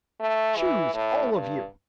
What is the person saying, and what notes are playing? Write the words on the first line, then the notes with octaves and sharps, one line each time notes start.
"Choose, all of you!"
A3
E3
A2
G2